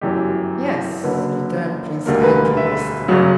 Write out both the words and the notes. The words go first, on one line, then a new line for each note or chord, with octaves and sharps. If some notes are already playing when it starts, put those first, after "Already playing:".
"Yes," returned Prince Andrew hastily.
G1 F#2 E3 G4
F#1 F#2 D3 B4
E1 D2 D3 G3 A#3 A#4
B4
E5
G1 F#2 C#3 F#3